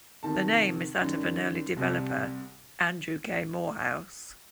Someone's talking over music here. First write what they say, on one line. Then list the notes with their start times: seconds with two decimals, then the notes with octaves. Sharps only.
The name is that of an early developer, Andrew K. Morehouse.
0.23 C2 C3 D#3 A5
1.01 F#2 D#3 G3
1.76 C2 C3 G3